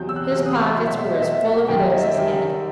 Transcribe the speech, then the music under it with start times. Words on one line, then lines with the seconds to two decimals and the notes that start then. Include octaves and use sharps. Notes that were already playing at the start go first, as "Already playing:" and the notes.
His pockets were as full of it as his head.
Already playing: E2 C3 F#3 G6
0.09 E6
0.16 F#6
0.29 E2 C3 F#3
0.46 D#6
0.52 C6
0.66 B5
0.75 B2 F#3 A3 C6
0.87 E5
0.98 E5
1.10 D#5
1.21 B2 F#3 A3 E5
1.45 F#5
1.68 F#2 D#3 G3 G5
1.79 E5
1.91 D#5
2.03 E5
2.15 F#2 D#3 G3